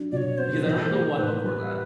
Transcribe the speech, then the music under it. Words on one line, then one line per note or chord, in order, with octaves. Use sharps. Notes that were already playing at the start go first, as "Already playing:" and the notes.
Because I remember the one before that.
Already playing: F#3 D4
B2 C#5 D5
B3 C5
E3
A#3
A2 B4
G3